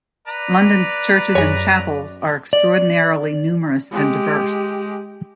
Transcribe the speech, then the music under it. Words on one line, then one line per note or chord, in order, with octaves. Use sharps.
London's churches and chapels are extraordinarily numerous and diverse.
B4 D5 A#5
F#2 G#4 C#5
D5
G#3 G4